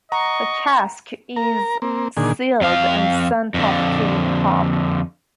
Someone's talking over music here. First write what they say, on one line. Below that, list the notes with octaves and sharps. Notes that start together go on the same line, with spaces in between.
The cask is sealed and sent off to the pub.
D#5 F#5 A#5 C#6
A#4 A#5
A#3 C4
A#2 D3 D#3 G#4
F2 F5
F2 D3